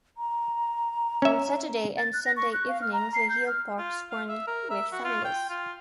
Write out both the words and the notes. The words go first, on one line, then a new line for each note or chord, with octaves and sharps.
On Saturday and Sunday evenings the hill park swarmed with families.
A#5
C#4 E5
A6
F#6
A#6
C#6
F#6
F5
F6
A#5
C7
G6
F6
F4
F5
E5
A#4
E5
F#4
F4
G5
F4